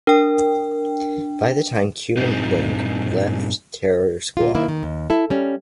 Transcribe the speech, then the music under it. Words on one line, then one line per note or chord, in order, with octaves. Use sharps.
By that time, Cuban Link left Terror Squad.
D4 A#4 G5
G2 A#2 C4 D#4
A#2 F4
D#3 A#3 E4
D#3
D#2
E4 A4
G3 C#4